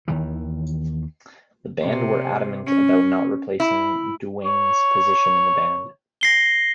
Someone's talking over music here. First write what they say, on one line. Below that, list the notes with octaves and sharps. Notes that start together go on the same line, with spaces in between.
The band were adamant about not replacing Duane's position in the band.
D#2 D#3 E3
C3
C#4
E4
C#5
A#6 C7 G7